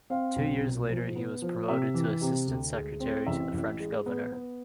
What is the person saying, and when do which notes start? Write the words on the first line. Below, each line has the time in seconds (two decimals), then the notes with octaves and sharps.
Two years later he was promoted to assistant secretary to the French governor.
0.10 C4 F5
0.36 B1
0.63 B2
0.89 F3
1.16 B3
1.42 F3
1.68 C3 E5
1.94 E3
2.21 C3
2.47 D2
2.73 G#3
3.00 C4
3.27 A1 E5
3.54 A1
3.80 G#3
4.06 B3
4.32 B3